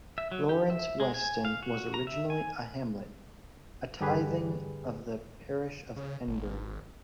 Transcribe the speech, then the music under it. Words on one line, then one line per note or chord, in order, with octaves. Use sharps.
Lawrence Weston was originally a hamlet, a tything of the parish of Henbury.
E5
F#3
G4
E5
G#3
G#5
F5
F#4
A#5
E5
G#5
G2 D3 G4 G#4 B4
C#3
G#1